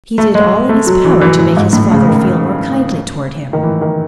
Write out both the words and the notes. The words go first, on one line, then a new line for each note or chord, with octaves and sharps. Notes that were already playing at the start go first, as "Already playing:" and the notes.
He did all in his power to make his father feel more kindly toward him.
A3
G#3
A3
F#3
E3
E3
E3
G#2
A2
C#3
D#3
D#3
E3
D#3